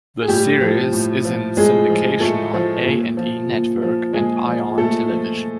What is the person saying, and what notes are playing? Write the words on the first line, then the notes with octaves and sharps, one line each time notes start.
The series is in syndication on A and E Network, and Ion Television.
G#4
A2 G3 G4
F3
A2
F3
A2 G#3 G#4
F3
A2 A3 A4
F3
A#2
F3
A#2
F3
A#2 G#3 G#4
F3
A#2 A3 A4
F3